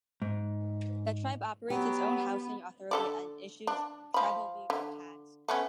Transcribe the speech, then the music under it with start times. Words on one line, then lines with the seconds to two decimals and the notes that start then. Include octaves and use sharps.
The tribe operates its own housing authority and issues tribal vehicle tags.
0.22 G#2
1.70 F#3 B3 G4
2.91 D3 A4 D5
3.67 D4
4.14 F3 B5
4.70 D3
5.48 A3 B3 C#4